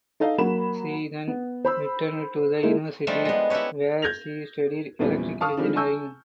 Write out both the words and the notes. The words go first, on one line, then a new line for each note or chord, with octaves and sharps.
She then returned to the University where she studied electrical engineering.
D#4 A4 D#5 F5
F#3 A#3 F#4 B5 E7
B3
C5 B5 E6
G#3 A#3 D#4 E4
F3 G3 A3 D4 D#4 F4
G#3 B3
E4 G4 A4 B4 C#5
G6 G#6 A#6 F7
A#1 E2 C#3 E3 F3 G3
F5 A5 C#6 D#6 F6
D#3 F3 G3 G#3 C4 D4
G#5 A5 C#6 E6 G6